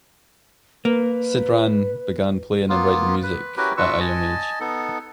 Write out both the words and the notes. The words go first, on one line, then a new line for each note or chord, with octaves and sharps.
Sidran began playing and writing music at a young age.
A#3 B4
A#3 B3 F4
B4
C#4 E4 F#4 G4 A#4 B4
D4 F4 F#4 B4 C#6 E6
D#5 G#5 A5
B3 D#4 A4